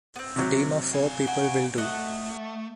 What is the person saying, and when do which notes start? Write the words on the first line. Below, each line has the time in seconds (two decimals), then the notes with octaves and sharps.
A team of four people will do.
0.16 B3 C4
0.36 C3 F#3
0.94 F5 G#5
1.27 F#4
1.78 A3 D#5 F#5